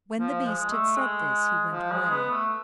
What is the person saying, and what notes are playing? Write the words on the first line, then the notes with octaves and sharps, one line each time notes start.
When the beast had said this, he went away.
F3
G#3
A3
G#3
F3
G#3
B3
A3